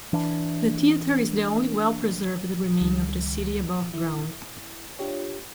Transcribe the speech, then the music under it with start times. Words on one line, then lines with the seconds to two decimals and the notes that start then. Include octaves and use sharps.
The theatre is the only well-preserved remain of the city above ground.
0.13 E3 D4
2.81 C#2 D#3 G3
3.93 E4
4.99 D4 F4 G4 C#5